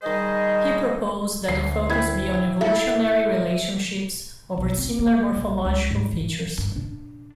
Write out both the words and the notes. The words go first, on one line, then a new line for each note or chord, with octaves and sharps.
He proposed that the focus be on evolutionary relationships over similar morphological features.
D#3 G3 G#4 C5 D#5
D2 C7
E4 G5 B5 G#6
E4 A4 E5
B1
C4
A#3
A#1
C#2
G#2
E3
G2
D4